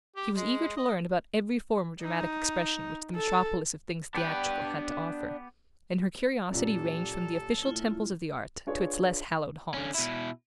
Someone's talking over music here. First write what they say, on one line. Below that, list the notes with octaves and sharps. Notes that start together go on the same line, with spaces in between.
She was eager to learn about every form of dramatic expression which the metropolis of things theatrical had to offer, and her curiosity ranged from the official temples of the art to its less hallowed haunts.
G4
G#3
D#5
D#4
A4
B3 D4 G4 B4 G5
F#2 A#2 G4 A4
A3 E4 F4
D4 F4 G#4 B4 C#5
D3 C#4
B2 E4